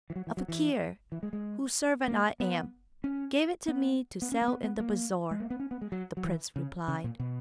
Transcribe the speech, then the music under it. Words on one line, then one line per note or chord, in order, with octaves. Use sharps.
"A fakir, whose servant I am, gave it to me to sell in the bazaar," the prince replied.
E3
F#3
E3
F#3
E3
E3
G#3
G#3
A#3
B3
C#4
B3
B3
C#4
A#3
B3
B3
A#3
G#3
A#3
B3
C#4
B3
G#3
F#3
F#3
E3
C#3
C#3
A#2
B2